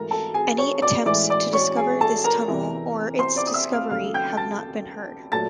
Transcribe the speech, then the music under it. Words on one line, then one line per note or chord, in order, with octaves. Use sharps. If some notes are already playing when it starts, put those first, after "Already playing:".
Any attempts to discover this tunnel or its discovery have not been heard.
Already playing: G#2 E3 A3 A4 A#4 A#5
A4 A5
G#4 G#5
C#5 C#6
D5 D6
A2 E3 G#3 D5 D6
D5 D6
C#5 C#6
G#4 G#5
A4 A5
A#4 A#5
E2 C3 E3
C5 C6
D5 D6
D#6
E5 E6
F5 F6
D#2 C#3 F#3 A3 F5 F6
G5 G6
A5 A6
A#2 F#3 A3 A5 A6